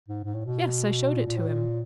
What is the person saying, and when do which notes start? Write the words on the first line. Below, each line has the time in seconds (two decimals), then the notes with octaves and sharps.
"Yes; I showed it to him."
0.09 G#2
0.24 G#2
0.34 A2
0.45 B2
1.17 A#2
1.27 A#2
1.37 A2
1.48 A#2